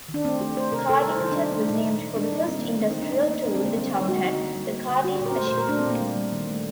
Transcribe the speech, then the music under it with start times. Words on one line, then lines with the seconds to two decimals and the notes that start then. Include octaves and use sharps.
Cardington was named for the first industrial tool the town had, the carding machine.
0.08 D#3
0.14 D4
0.25 A3 C4
0.40 A3 G4
0.56 A3 C5
0.72 C3 A#4
0.89 C3 A4
0.99 A#4
1.04 G3
1.10 C5
1.21 D#3 C5
1.26 D#4
1.32 D4
1.36 G3
1.52 G3 D4
1.69 A#2 D#4
1.84 D#3
2.01 D#3
2.16 G3 D4
2.32 A#3 D#4
2.48 D#3 C4
2.59 A#3
2.65 D#3
2.70 A#3
2.80 D3 C4
2.91 D#4
2.96 A3
3.02 D4
3.12 A#3 D#4
3.23 D#4
3.29 A#3
3.34 D#4
3.45 D3 D4
3.55 C4
3.61 D3
3.66 A#3
3.77 G3 C4
3.87 C4
3.92 D3
3.98 D#4
4.08 D3 F#4
4.24 D3 D#4
4.41 A#3
4.56 G3
4.73 A#3
4.88 D3
5.04 G3 F#4
5.15 G4
5.20 A#2
5.26 A#4
5.36 A3 C5
5.48 C5
5.52 A#2
5.58 A#4
5.68 A3 D4
5.79 C4
5.85 A#2 A#3
6.01 G3
6.17 G3
6.32 D#3
6.49 A3